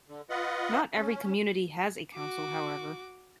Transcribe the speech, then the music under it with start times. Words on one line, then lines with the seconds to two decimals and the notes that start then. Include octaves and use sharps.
Not every community has a council, however.
0.09 D3
0.30 F4 B4 D#5 F#5
0.94 C#4
2.14 F#4 D6